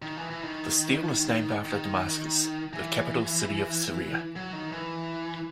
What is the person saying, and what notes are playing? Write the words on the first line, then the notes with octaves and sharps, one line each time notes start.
The steel is named after Damascus, the capital city of Syria.
D#3
E3
E3
D#3
D#3
E3
F#3
D#3
E3